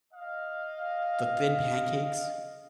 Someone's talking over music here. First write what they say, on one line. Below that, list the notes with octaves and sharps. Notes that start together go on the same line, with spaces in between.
the thin pancakes?
D#5 F5